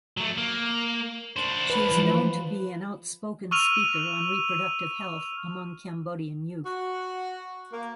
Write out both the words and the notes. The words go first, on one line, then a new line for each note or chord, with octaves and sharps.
She is known to be an outspoken speaker on reproductive health among Cambodian youth.
F#3 A3
A#3
D4 C5
B4
E3 F3 B4
C#6 E6 F6 D#7 F7
F#4
A#3